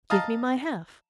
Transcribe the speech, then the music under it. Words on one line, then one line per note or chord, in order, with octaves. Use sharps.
Give me my half.
D#5 F5 A5 A#5